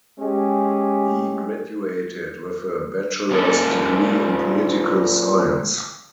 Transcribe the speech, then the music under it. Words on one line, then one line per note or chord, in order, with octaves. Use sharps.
He graduated with a bachelor's degree in political science.
G#3 C#4 G4
A#2 C#4 A4 A#4